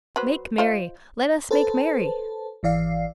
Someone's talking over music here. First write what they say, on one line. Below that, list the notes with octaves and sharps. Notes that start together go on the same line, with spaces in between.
Make merry, let us make merry.
F#3 B4 C5
F4 C5 D#5
A4 B4 C5 A5
G#1 E3 D5 F5 C7